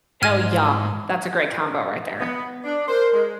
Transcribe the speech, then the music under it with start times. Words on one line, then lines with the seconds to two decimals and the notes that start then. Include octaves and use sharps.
Oh, yum. That's a great combo right there.
0.23 G#2 F6 G#6 D#7
2.20 B3
2.64 D4
2.88 A#4 C5
3.13 G#3